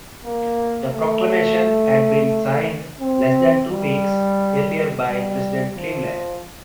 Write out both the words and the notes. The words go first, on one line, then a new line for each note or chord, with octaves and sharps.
The proclamation had been signed less than two weeks earlier by President Cleveland.
A#3
A3
C4
G3
G3
F3